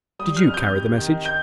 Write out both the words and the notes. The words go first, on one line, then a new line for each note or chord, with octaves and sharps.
"Did you carry the message?"
G3 D#6
F6
F2
G6
C3
D#3
G6